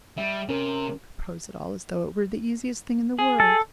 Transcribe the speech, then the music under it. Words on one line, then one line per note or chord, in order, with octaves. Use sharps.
"You propose it all as though it were the easiest thing in the world."
G3 E5
C3 C#4 A#4
G#4
A4